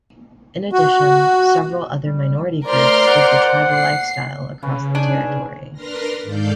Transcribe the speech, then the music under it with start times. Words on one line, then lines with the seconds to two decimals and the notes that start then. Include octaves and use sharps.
In addition, several other minority groups lived a tribal lifestyle across the territory.
0.73 F#4
2.01 G3
2.66 A3 A#4 C5 D5 C6 F6
3.07 F#5
3.72 C7
4.63 C#3 C#4 B4
4.95 D4 D#4 G#5
5.72 D4 A#4 B4 C6 F6 A#6
6.23 G#2 D#3 A4 D5 F5 G6